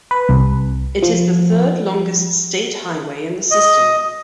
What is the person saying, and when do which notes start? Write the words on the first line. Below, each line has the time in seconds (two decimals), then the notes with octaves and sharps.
It is the third-longest state highway in the system.
0.11 B4
0.29 C2
1.03 F3
3.51 D#5